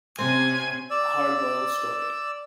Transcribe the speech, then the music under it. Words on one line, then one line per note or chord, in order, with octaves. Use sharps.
A Hardboiled Story.
C3 C4 C#4 G#5
D5 E6